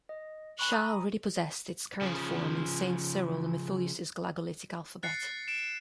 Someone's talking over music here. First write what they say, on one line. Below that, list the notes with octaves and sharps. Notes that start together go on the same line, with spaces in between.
Sha already possessed its current form in Saints Cyril and Methodius's Glagolitic alphabet.
D#5
G#5 B5 C#6 F#6
G#5 A#5 D#6
C#3 F3
F#6 A6 C7 C#7
D7 E7